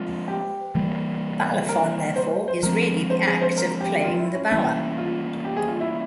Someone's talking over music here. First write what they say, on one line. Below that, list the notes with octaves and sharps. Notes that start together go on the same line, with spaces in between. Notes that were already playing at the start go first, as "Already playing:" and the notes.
Balafon therefore is really the act of "playing the bala".
Already playing: F3 G#3 C4 F4
G4
E3 G3 A#3
A#4
C5
C5
F3 G#3 C4 A#4
C5
G#4
C5
A#4
G4
F4
E4
C#4
E3 G3 A#3 C#4 E4
F4
G4
G#4
F4
E4